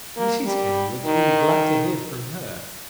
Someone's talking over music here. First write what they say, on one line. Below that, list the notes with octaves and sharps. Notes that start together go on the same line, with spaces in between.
Mrs Kenwigs will be glad to hear from her.
A#3
G3
D#3